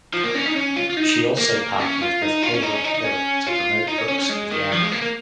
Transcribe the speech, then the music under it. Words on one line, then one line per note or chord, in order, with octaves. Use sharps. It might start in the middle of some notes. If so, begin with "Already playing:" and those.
She also partnered with Heywood Hill to provide books for the airline.
F3
A#3
C#4
D#4
C#4
F4
F4
D#4
A#3
C#4
F4
D#4
F4
C#4
D#4
C#4
D#4
D#4
C#4
F4
D#4
C#4
C#4
C#4
G#3
D#3
F3
G#3
A#3
A#3